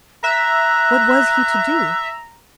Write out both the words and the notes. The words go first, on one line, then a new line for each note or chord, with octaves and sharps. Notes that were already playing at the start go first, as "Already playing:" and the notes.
What was he to do?
E5 A#5 F#6